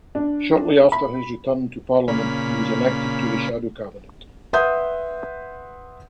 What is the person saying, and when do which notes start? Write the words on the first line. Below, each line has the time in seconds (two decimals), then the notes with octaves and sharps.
Shortly after his return to Parliament, he was elected to the shadow cabinet.
0.15 D4
0.92 B5
2.08 A#2 C#3 B5
4.53 B4 E5 F#5 C6 D#6 G6